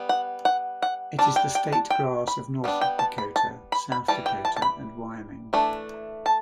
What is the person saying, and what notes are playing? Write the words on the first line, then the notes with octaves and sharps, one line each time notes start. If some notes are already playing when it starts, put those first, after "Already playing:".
It is the state grass of North Dakota, South Dakota, and Wyoming.
Already playing: G3 B3
F#5
F#5
F#5
G3 D4 A5
G5
G5
A5
G5
B5
G3 B3 D4
G5
A5
B5
A5
B5
B5
E3 G3 A5
G5
A5
A5
B5
E3 A3 D4
A5